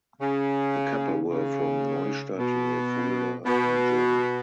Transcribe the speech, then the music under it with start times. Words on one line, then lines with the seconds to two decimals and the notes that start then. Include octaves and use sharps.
The couple were from Neustadt near Fulda in Germany.
0.21 C#3
1.29 C#3
2.38 B2
3.46 B2